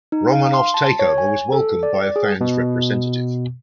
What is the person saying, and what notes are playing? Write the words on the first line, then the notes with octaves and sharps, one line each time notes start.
Romanov's takeover was welcomed by a fans representative.
D#4
F5
C6
A5
C#5
G#5
A4
D5
G#4
B2